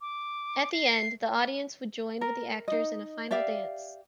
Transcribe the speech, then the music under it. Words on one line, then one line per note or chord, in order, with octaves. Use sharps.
At the end, the audience would join with the actors in a final dance.
D6
C7
A#4
D#4 D#5
G4 D5 E5 F5